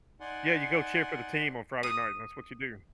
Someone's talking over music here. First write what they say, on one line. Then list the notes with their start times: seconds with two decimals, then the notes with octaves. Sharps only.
Yeah, you go cheer for the team on Friday night that's what you do.
0.20 D#4 D5 F#5 G#5 C6
1.83 D#6